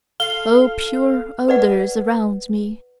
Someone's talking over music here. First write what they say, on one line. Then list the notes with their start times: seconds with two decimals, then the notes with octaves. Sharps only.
O pure odours around me!
0.20 F4 A4 F5 G7
1.48 B4 D5 F#5